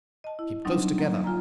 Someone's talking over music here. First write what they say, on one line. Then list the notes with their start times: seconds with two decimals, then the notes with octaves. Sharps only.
Keep close together.'
0.24 D#5 A5
0.39 E4
0.65 F#3 G3 C4 D4 D#4
0.98 F#3 A#3
1.24 F4 G#5 A#5